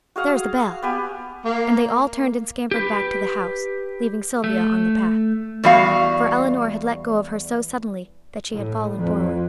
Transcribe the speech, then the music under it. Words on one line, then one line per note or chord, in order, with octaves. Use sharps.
"There's the bell," and they all turned and scampered back to the house, leaving Sylvia on the path; for Elinor had let go of her so suddenly that she had fallen forward.
F#4 G#4 F5 F#5
B3 G4 G#5
A#3
G4 B4
A3
E2 G3 F#4 F5
A2
F2